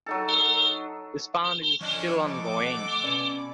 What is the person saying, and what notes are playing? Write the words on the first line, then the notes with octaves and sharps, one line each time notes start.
This fund is still ongoing.
F#3 D#4 A4
F3 C#4 D4 D#5
C4 D#4 A4 D6
A3 D#5 F#5
B2 C#4 B4 D5